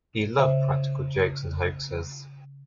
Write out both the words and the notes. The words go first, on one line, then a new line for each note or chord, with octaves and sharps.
He loved practical jokes and hoaxes.
C#3 C5 E5